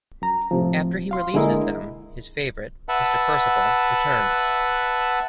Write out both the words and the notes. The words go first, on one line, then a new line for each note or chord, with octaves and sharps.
After he releases them, his favourite, Mr Percival, returns.
F#2 A#5
A2 C3 F3
F5 C6
D3 G#3 A#3 E4 A#4 D#5
B4 E5 F#5 A5